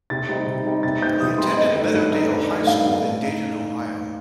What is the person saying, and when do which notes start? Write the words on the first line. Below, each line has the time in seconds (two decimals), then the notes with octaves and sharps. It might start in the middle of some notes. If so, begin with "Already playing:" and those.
He attended Meadowdale High School in Dayton, Ohio.
0.10 C3 A6
0.29 G3 C4 D#4
0.47 C3
0.66 G3 C4 D#4
0.83 C3 A6
1.02 G3 C4 D#4 G6
1.20 C3 D#6
1.38 G3 C4 D#4 C6
1.56 G2 D#5
1.76 D#3 A3 D#4 D#5
1.94 G2
2.12 D#3 A3 D#4
2.31 G2
2.49 D#3 A3 D#4
2.67 G2 F5
2.85 D#3 A3 D#4
3.03 A2
3.22 A3 D#4